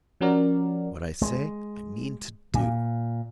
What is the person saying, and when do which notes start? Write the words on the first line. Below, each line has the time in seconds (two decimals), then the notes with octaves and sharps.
What I say, I mean to do!'
0.21 F3 C#4 F#4 A#4 D5
1.22 G#3
2.54 A#2